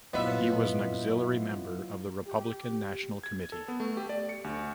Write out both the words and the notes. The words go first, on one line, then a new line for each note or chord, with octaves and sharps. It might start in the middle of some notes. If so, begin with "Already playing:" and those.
He was an auxiliary member of the Republican National Committee.
G2 A#2 F#3 B3 E4 F4 D#5 E5
G4
G#6
A4
B3
A3
G4
D5
C#7
D2